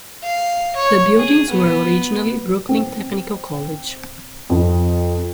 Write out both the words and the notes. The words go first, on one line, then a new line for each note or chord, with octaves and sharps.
The buildings were originally Brooklyn Technical College.
F5
C#5
G#4
B3
C4
F2